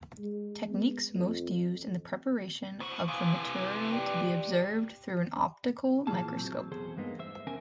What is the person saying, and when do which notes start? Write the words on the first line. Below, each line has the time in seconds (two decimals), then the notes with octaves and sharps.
Techniques most used in the preparation of the material to be observed through an optical microscope.
0.18 G#3
0.70 B3
1.14 F2
2.81 A2 F#4 C5
3.08 C3 E3 F5 G#5 D#6
3.92 G4 D5 G5
6.07 A#2 E3 G3 F4 G#4 A5
6.37 F#3 C4
6.72 E2 G#4 A4 C5
6.97 G2 G#3 A#3 B3 D#4
7.19 C5 E5
7.47 E2 C#4 A#4 G#5